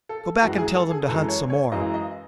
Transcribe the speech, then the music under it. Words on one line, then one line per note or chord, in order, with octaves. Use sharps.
Go back and tell them to hunt some more.
A4
F#2 E3 G#3 F#4
G#4
A4
G#4
F#2 E3 G#3 A4
C#5
C#5
F#2 E3 G#3 D#5
D#5